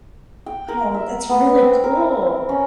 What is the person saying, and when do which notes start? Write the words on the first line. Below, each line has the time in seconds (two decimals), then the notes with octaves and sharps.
Oh, that's really cool.
0.46 G5
0.68 A#4
0.94 E5
1.29 B3
1.61 C4
1.84 A#4
2.49 C#4